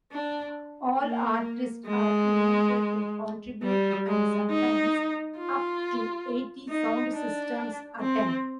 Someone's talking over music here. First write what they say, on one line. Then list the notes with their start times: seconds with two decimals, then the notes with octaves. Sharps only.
All artists are invited to contribute and sometimes up to eighty sound systems attend.
0.12 D4
0.99 A#3
1.87 G#3
3.63 G3
4.07 G#3
4.50 D#4
5.38 F4
6.69 D#4
7.13 D4
8.01 C4